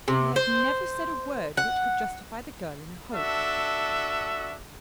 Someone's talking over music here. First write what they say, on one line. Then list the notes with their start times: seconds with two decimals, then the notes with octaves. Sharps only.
He had never said a word which could justify the girl in a hope.
0.08 C3
0.36 C5
1.57 F#5
3.13 D4 F#4 A4 E5